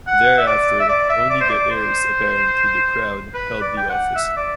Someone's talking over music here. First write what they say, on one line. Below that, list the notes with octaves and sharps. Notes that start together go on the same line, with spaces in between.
Thereafter, only the heirs-apparent to the Crown held the office.
F#5
E5
D5
E5
D5
E5
D5
C5
D5
C5
B4
D5
G5
F#5
E5
D5